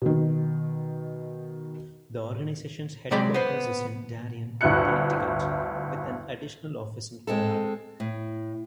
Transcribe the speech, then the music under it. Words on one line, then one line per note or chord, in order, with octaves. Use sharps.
The organization's headquarters is in Darien, Connecticut, with an additional office in Colorado.
B2 D#3
C3 F#3 G#3 D5 G5 B5
B3 C5
G1 D2 A2 E4 F#6 C#7
G#3 C4 A4
A2